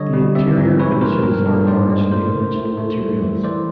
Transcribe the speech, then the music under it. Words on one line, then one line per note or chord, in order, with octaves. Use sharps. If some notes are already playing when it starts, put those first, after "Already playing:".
The interior finishes are largely original materials.
Already playing: D3 G3 C#5 D#5
G3
C4 D5 E5
G#2
G#2 B4 C#5
F3 A#4 C5
G2 A#4
G2 A4
G#2 C5 D5
G#3
A3 A#4 C5
C#3
A3
A3
G3
E3
E3 C5 D5